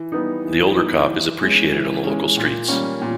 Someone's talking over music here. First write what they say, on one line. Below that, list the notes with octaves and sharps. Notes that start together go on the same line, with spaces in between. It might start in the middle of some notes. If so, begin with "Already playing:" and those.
The older cop is appreciated on the local streets.
Already playing: E3
G3 B3 D#4
E3
G3 B3 D#4
E3
G#3 C#4
E3
G#3 C#4
A#2
G3 A#3 C#4
A#2